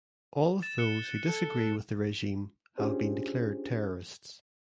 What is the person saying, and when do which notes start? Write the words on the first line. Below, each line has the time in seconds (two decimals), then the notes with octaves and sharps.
All of those who disagree with the regime have been declared terrorists.
0.62 A6 E7
0.78 F#6 C#7 G7
1.28 A4
2.78 C#4 D4 F4 G4 G#4 C5